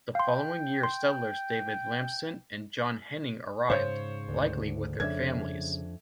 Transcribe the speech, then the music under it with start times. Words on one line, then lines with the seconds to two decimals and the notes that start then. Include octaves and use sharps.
The following year settlers David Lampson and John Henning arrived, likely with their families.
0.15 F5 G5 C6
0.83 C6
3.70 G#2 C#3 C5 C#5
4.28 D2
5.00 F2 C#3 D4 E5 G#6